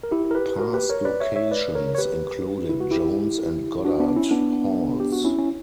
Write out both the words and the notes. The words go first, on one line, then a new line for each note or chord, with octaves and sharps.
Past locations included Jones and Goddard Halls.
A#4
E4 G4
A#4
G4 B4
F#4 A#4
G4 B4
A#4 C#5
B4 D5
C#5 E5
C#5 E5
B4 D5
A#4 C#5
C#5
G4 B4
E4
F#4
E4 G4
D4 F#4
B3 D4
C#4 E4
B3 D4
G4
F#4
C#4 E4
C#4